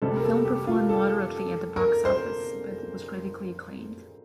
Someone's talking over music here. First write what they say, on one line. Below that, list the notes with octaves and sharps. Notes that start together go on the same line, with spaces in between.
The film performed moderately at the box office, but was critically acclaimed.
C3 G3 A4
A#4
A4
G4
F4
A4
A#4
C5